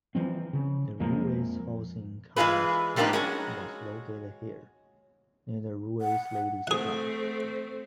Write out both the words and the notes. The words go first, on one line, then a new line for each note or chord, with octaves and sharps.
The Ruwais Housing Complex Clinic was located here, near the Ruwais Ladies Club.
E3 F3 C4
C#3
F2 F3 G#3 A#3
E3 G#3 C#4 F4 G#4 B4
F3 G3 A#3 B3 D4 D#4
G#3 C#4 F#4
F#5
A3 C4 G#4 F#5